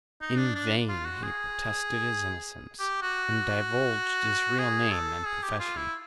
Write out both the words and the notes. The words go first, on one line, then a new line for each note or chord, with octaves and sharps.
In vain he protested his innocence, and divulged his real name and profession.
D#4
D4
D4
F4
F#4
G#4
G4
F#4
G#4
A4
G#4
G4
F4
E4